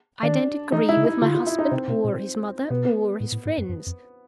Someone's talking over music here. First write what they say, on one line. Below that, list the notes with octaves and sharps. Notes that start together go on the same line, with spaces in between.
I don't agree with my husband, or his mother, or his friends.
D#3 D4
E3 D#4
E4
C#3
E4
D3 F4
F4
E4
D#4
C3 C4
B2
A#2
B2 B3
A2
A2
G#2
F#2
F#2
F2